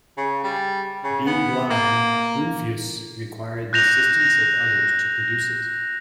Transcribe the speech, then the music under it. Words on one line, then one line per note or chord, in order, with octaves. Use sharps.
Being blind, Rumphius required the assistance of others to produce it.
C#3
G3
C#3
B3
A#3
F#6 G6 A#6 E7 F7